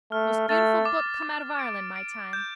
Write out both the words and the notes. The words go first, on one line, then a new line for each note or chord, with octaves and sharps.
Most beautiful book come out of Ireland my time.
A3 F6
A3 A6
D6
D6
D7
D7
G6